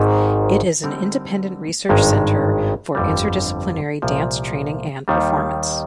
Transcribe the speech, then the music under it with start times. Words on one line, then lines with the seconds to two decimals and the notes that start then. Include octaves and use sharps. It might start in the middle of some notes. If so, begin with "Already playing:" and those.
It is an independent research centre for interdisciplinary dance training and performance.
Already playing: G#1 G#2 D#3
0.83 D3 G3 C4 D#4 A#4
1.89 G#1 G2 D#3 G#3
2.95 G1 F2 D3 G3
4.02 C2 A#2 F3
5.08 D#2 D#3 G3